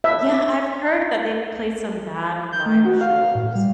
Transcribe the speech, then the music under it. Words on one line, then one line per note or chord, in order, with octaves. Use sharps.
Yeah, I've heard that they've played some bad live shows.
E5
G6
A3
F#4
F5
F5
A2
G3